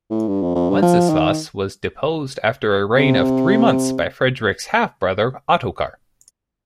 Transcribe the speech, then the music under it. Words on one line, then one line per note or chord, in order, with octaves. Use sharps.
Wenceslaus was deposed after a reign of three months by Frederick's half-brother Ottokar.
A2
G2
F2
F2
G2
F3
D#3
C3